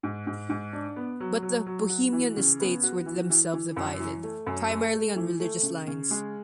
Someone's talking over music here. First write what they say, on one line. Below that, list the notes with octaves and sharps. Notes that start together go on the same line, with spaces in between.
But the Bohemian estates were themselves divided, primarily on religious lines.
G#2
G#2
G#2
D4
B3
F#3
F#3
F#3
F#4
E3
C#3
B3
F#4
E3
E3
E3
F#2
E3
A3
F#2
A3
A3
E3
A3
C#3
C#3
G#3